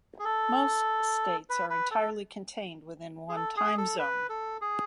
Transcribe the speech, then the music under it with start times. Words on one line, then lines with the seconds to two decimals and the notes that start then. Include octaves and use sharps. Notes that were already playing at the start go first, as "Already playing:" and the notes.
Most states are entirely contained within one time zone.
0.19 G#4
0.25 A4
1.50 B4
1.70 B4
1.91 A4
3.29 G#4
3.36 A4
3.57 G#4
3.78 A4
3.99 B4
4.29 A4
4.61 G#4